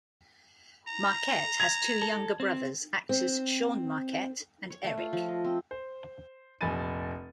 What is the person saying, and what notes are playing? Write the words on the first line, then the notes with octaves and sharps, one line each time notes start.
Marquette has two younger brothers, actors Sean Marquette and Eric.
A#5
G#6 F7
A4
C4
C4
C#5
A3
F4
F3
D#5
C4
C5
F1 A#1 G#5 B5 A6 D#7